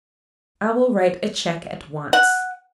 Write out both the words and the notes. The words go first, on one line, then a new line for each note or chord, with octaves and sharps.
I will write a cheque at once.'
F#5